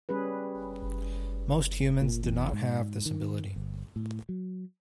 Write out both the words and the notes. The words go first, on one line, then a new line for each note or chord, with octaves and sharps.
Most humans do not have this ability.
G3 C#4 G#4 B4
A#2
E2
G#2
D#3
G1
A2
F#3